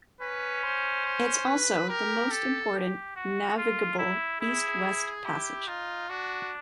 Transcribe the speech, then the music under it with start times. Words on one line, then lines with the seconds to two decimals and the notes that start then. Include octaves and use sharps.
It’s also the most important navigable east-west passage.
0.21 C#4 B4
0.63 C5
1.05 C5
1.47 B4
1.89 G4 A#4
2.31 A4
2.73 G4
3.15 F#4
3.57 F4
3.98 E4
4.41 E4 G#4
5.24 E4 G4
5.67 D#4 F4
6.09 D4 F#4